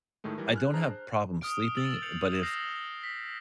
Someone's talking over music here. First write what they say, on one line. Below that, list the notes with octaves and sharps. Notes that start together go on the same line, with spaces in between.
I don't have problem sleeping, but if
A2 D#3 G#3 A3
E3 G3 A#4
G#5 F6 F#6
D4 G#4 C5 A#5
C5
D#6 F6 D7
E6 A6 F#7
G6 C7 C#7 F7 F#7
F6 G6 A6 A#6 C7 E7
B6